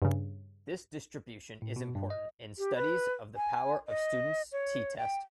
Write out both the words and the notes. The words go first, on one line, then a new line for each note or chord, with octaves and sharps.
This distribution is important in studies of the power of Student's "t"-test.
G2 C#3
A2
B2
G2
D#5
G4
B4
G#5
D#5
C#5
G5